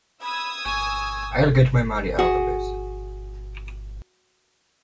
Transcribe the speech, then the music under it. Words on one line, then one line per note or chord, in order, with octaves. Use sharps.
I'll get my money out of this.
B5 D#6 E6 G#6
G#5 C#6
F#4 G#4